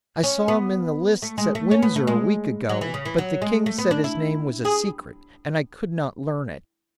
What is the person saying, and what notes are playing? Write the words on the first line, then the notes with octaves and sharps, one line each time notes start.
I saw him in the lists at Windsor a week ago, but the king said his name was a secret, and I could not learn it.
C#4
B3
A3
G#3
A3
C#4
B3
A3
G#3
F#3
E3
C#3
E3
F#3
G#3
A3
B3
D4
E4
G#4